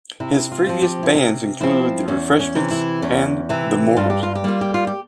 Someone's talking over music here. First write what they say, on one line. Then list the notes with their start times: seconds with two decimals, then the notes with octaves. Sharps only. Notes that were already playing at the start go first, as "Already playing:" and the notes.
His previous bands include The Refreshments and the Mortals.
0.20 C3 E4
0.52 F4
0.66 F3 C4
0.82 G4
1.03 E4
1.14 C3 C#4
1.61 F3 C4 E4
2.08 E2 C#4
2.40 C#4
2.55 C3 E3
2.71 E4
3.02 E2 C#4
3.49 C3 E3 E4
3.97 G2 F4
4.10 G4
4.23 F4
4.35 G4
4.44 G3 A#3 F4
4.61 G4
4.74 F4
4.87 G4